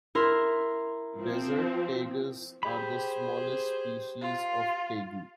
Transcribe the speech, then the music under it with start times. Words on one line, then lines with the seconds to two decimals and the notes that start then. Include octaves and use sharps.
Desert tegus are the smallest species of tegu.
0.15 E4 A#4 C6
1.19 F3 C4
2.63 G4 G#4 C5 B5
4.21 F4